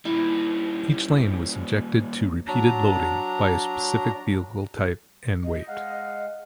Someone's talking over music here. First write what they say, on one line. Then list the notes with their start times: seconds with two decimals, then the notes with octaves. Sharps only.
Each lane was subjected to repeated loading by a specific vehicle type and weight.
0.05 A#2 G3 E4
2.47 F#3 D4 A#5
5.44 D#5
5.68 G#3 F5 F#5